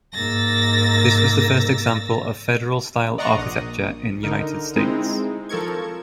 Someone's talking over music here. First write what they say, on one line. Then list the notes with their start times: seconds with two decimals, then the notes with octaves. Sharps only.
This was the first example of Federal Style architecture in the United States.
0.14 G#2 A#3 E6 A6 A#6
3.18 D5 D#5 F#5 A#5 C6 C#6
3.37 A#1 D#6
4.23 D3 D#4 A#4
4.76 G#3 C4 D#4 E4
5.49 F3 A4 A#4 C#6 G#6